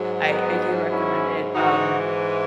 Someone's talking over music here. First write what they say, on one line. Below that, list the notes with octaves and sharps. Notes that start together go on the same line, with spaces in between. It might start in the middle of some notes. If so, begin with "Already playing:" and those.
I I do recommend it, um,
Already playing: G#2 F#3
B3 D#4
C#4 E4
G#2 E3 D#4 F#4